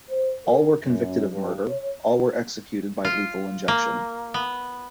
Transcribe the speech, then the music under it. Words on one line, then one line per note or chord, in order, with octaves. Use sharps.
All were convicted of murder; all were by executed by lethal injection.
C5
A#4
F#2
G2
C#5
F4
A#3
B3